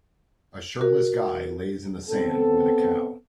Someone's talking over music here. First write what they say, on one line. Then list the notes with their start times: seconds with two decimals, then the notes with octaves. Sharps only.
A shirtless guy lays in the sand with a cow.
0.81 F#4 A#4
2.10 B3 C4 A4